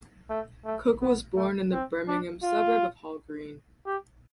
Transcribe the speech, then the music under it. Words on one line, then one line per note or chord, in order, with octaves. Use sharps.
Cooke was born in the Birmingham suburb of Hall Green.
A3
A3
B3
A3
C4
D4
F4
G4